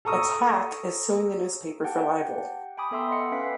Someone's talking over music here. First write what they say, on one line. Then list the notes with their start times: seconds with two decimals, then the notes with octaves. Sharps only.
Attack is suing the newspaper for libel.
0.05 A4 A#5 C#6 D#6 E6
1.84 G4 F#5 G5 A5
2.78 G5 G#5 B5 D6 D#6
2.91 B3 A4 E5 C6 E6
3.11 D#5 F#5 C#7
3.32 C#4 B4 E5 F5 G5 B6